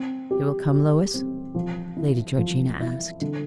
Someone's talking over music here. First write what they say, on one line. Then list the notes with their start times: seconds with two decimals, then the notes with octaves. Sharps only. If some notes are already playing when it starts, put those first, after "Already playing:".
'You will come, Lois?' Lady Georgina asked.
Already playing: C4
0.31 G4
0.72 G4
1.14 C4
1.55 F3
1.97 E4
2.38 F3
2.80 E4
3.21 D3